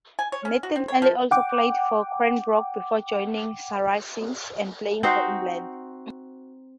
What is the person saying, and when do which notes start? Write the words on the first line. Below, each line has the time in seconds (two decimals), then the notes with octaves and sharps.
Nathan Earle also played for Cranbrook before joining Saracens and playing for England.
0.19 G#5
0.32 C#5
0.45 C#4
0.63 F#4
0.76 C4
0.88 C#5
1.02 F3
1.31 F#5 G5 D6
5.03 C4 D#4 F#4 C5